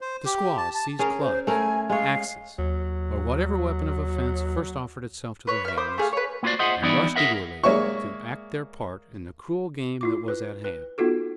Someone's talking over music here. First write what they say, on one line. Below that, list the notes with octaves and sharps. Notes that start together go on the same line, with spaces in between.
The squaws seized clubs, axes, or whatever weapon of offense first offered itself to their hands, and rushed eagerly to act their part in the cruel game that was at hand.
C5
G4
A5
A5
C#4 G#4 A#4
C5
A3 A#4 G#5
G#3 C#5 F5
D#2 F#3
B4 C#5
E5 F6
C5 B5 D6 D#6
A3 G#4 F5
B4 C#5
A#3 B3 F4 F#4 C5 D5
F4 G#4 C5 D#5 E5 F#5
E3 G3 B3 D#4 E4 D5
G#4 A#4 E5 F#5
G#3 A#3 C#5 D5 E5 C#6
E4 F4 D6
B4
B4
B3 D#4 F4 F#4 A4